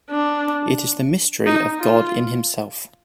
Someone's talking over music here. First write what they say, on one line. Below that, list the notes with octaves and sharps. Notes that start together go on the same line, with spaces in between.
It is the mystery of God in himself.
D4
D#4
F4